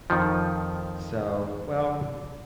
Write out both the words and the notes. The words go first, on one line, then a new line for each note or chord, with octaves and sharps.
so, well,
F2 D#3 F3